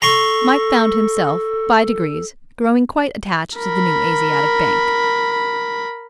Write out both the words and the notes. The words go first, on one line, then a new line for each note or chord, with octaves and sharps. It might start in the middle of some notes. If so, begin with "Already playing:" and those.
Mike found himself, by degrees, growing quite attached to the New Asiatic Bank.
A4 A#5 C6 C#6
A#4 B5